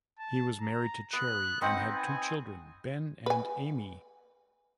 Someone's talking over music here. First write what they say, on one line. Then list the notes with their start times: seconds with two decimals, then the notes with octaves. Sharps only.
He was married to Cherry and had two children, Ben and Amey.
0.19 A5
0.61 A#5
1.13 B3 F#6
1.61 B3 C4 D#4 F#5
1.95 G#5
3.26 B4 G#5